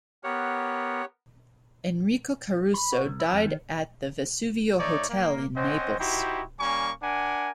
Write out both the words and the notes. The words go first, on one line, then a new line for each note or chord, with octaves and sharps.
Enrico Caruso died at the Vesuvio Hotel in Naples.
B3 G4 A#4 C#5 F#5
B5
F#4
C2
E4
F2
D#3
A3 D#4 C#5 D5
A#3
C4 C#4 C5 D#5 F#5
D#4 E4 F#4 G4 C5
G3 A#3 C#4 G#5 C#6
D4 A#4 F#5 G#5